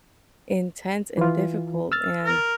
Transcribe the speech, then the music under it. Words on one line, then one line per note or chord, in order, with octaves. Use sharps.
intense and difficult, and
E3 F4
E6 F6 A6
A#4